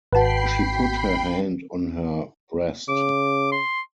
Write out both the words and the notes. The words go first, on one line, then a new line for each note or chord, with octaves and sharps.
She put her hand on her breast.
G#1 F#4 B4 G5 A5 B5 C7
C#3 D6
C6